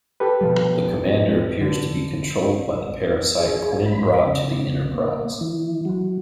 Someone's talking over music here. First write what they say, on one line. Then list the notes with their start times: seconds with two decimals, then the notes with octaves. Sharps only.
The commander appears to be controlled by the parasite Quinn brought to the "Enterprise".
0.20 G4 A4 B4
0.41 B2 F3 G3
1.61 D3
3.39 G#4
3.86 B5
4.26 C#3
4.93 A#3
5.41 E3
5.85 F#3